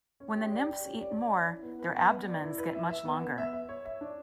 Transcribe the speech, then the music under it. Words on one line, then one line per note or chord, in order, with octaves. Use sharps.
When the nymphs eat more their abdomens get much longer.
C#4
G4
D5
G4
C#4
D5
D5
C#4
E4
B3
B4
B3
B4
D5
E4
B4
E5
E5
B3
B3
E5
E5
C#5
E5
D4